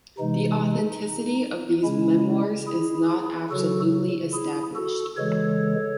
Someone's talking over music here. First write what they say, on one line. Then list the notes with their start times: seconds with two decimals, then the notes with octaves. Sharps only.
The authenticity of these memoirs is not absolutely established.
0.18 C3 E3 G#3 D#4
1.84 C#3 G#3 C#4 E4
2.67 E4 G#4
3.50 C#3 F#3 F#4 A4
4.34 E4 G#4
4.75 F#4 A4
5.17 C#3 E3 G#3 A4 C#5